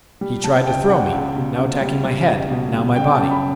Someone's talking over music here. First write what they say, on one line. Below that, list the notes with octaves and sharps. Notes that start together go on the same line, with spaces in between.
He tried to throw me, now attacking my head, now my body.
G3
G3 A5
C#2 G5
C#2 F#5
C#2
B2
C#2
G3
G3
C#2
B2
G3
C#3 G5
A5
F#2
B5